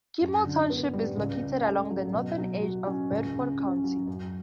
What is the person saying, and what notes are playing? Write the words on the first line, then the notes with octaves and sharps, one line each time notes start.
Kimmel Township is located along the northern edge of Bedford County.
F#2
D3
B3
G3
C#2
C#3
A3
F#3
B2
F#3
F#4
C#4
C#2
C#3
C#4
F#3
F#2